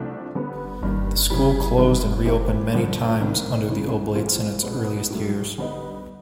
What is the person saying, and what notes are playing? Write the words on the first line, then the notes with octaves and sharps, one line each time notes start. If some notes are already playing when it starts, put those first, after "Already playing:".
The school closed and re-opened many times under the Oblates in its earliest years.
Already playing: C2 C3 F3 A3 D4
D3 G3 B3
G2 D#3 G3 A#3
C#3 E3 G3
D#3 F#3 B3 E4
E3 A3 C4 E4 G4
G2 D3 F3
C2 C3 D#3
C#2 C#3 E3
A2 E3 A3 C4 F4
B2 G#3 B3
A2 F#3 A3
D3 G3 B3 D#4